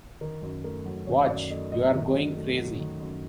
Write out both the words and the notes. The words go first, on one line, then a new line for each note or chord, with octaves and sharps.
Watch, you are going crazy!
D#3 A#4
F#2
A3 A#4
F#3
D#3 C#5
F#2 D5
A3 D#5
F#3 D#5
D#3
F#2
A3
F#3
D#3
F#2